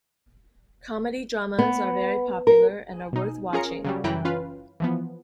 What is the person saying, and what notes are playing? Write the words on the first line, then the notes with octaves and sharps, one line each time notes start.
Comedy dramas are very popular and are worth watching.
B3
A#4
B2 D#4
C#4 F4 G#4 A#4 A#6 C#7
C#3 F#3 G3
F#2 E3 G5 A#5 F#6
C#4 F4 B4 F5
E3 F3 B3